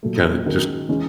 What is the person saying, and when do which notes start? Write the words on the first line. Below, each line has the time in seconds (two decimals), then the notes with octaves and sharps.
kinda just
0.03 A#2 F#3 A3
0.46 D#3 G#3 C#4 F#4 A#4
0.89 E3 G#3 C#4